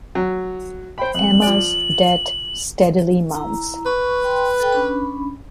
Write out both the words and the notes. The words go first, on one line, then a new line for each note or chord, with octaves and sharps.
Emma's debt steadily mounts.
F#3
C5 G5 B5
F2 F#7
F3 D5
E4 A#5
B4 C#6
G5 C6
A4 G5
C#4 D4 B5